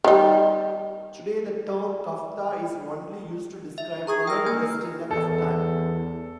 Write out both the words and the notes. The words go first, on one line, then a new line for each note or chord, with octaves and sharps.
Today the term Kafta is only used to describe women dressed in a Kaftan.
D#3 G3
E5
G#4 A#5 C#6 D#6
A#4 G5 E6
A#3 G#5 A#5
E2 A4